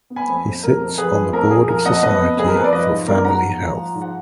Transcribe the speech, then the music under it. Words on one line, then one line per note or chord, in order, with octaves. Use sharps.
He sits on the board of Society for Family Health.
B3
G#5 B5
F2
F2
F2 A#4
F2
F3 G#4 B4
F3
F2 A#4
F2 G#4
F3 A#4
F2 D#5 F#5
F2 B4 D#5
B3
F2 G#4
A#4
F2 B4
D5
F3 B4 D#5
G#2
B3 A#4 D5
G#2 F#5 A#5
F3
F3
F3
G#2
F#5